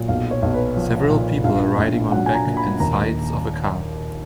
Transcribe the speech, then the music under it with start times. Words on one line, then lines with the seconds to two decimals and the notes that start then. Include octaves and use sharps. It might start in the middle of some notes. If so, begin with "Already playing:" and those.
Several people are riding on back and sides of a car.
Already playing: A#2 F#3
0.08 B1 F5
0.31 C#5
0.42 B1
0.54 B4
0.77 F3
1.10 A#2
1.44 A#1 F5
1.78 A#1
2.12 F#3 F#5
2.26 G#5
2.35 A#5
2.46 A#2
2.57 B5
2.80 D#2 A#5